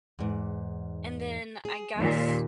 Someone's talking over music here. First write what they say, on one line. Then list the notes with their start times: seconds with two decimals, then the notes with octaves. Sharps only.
and then I guess
0.19 E2 G#2
1.65 G#4
1.97 D#2 A#2